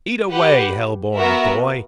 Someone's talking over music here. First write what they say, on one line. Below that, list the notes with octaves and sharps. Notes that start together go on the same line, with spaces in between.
Eat away, hell-born boy!
G4 B4 F#5
B3 F#4 A#4 E5